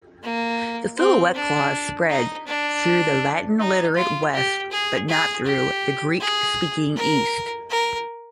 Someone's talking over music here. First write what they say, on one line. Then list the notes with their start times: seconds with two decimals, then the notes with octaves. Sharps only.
The filioque clause spread through the Latin-literate West but not through the Greek-speaking East.
0.23 A#3
0.98 C4
1.35 D4
2.09 D#4
2.47 D4
3.59 D#4
3.97 F4
4.34 G4
4.71 G#4
5.09 G#4
5.46 G4
6.21 G#4
6.96 A#4
7.70 A#4